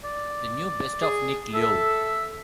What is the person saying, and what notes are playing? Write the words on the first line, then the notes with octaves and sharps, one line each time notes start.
The New Best of Nick Lowe.
D5
G#4
A4 E5